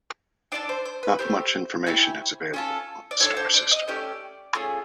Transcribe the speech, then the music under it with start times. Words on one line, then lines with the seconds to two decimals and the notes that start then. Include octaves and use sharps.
Not much information is available on the star system.
0.52 D4 F#4 A4 D5
0.69 C5
0.85 C5
1.03 B4
1.19 A3 D4 G4 C5
1.86 C#4 E4 G4
2.54 C#4 F4 A4
3.11 D5
3.20 D4 F#4 A4 C#5
3.37 C5
3.54 D5
3.71 D#5
3.88 A3 C#4 G4 D5
4.55 A3 C#4 F4 G#4